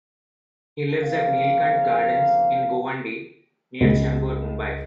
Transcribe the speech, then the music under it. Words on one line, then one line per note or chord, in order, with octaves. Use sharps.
He lives at Neelkanth Gardens in Govandi near Chembur, Mumbai.
G#1 F2 C#3 A#3 C4 F5
C#2